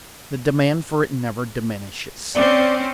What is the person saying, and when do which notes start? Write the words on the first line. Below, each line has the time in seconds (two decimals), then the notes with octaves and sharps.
The demand for it never diminishes.
2.35 C4 C#4 D5